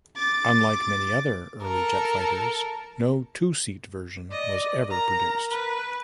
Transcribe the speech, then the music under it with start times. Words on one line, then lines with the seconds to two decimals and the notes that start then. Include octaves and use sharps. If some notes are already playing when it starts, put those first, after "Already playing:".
Unlike many other early jet fighters, no two-seat version was ever produced.
0.16 D6 A6
1.63 A4 A#4
4.31 D5 D#5
4.90 A#4 A#5
5.49 B4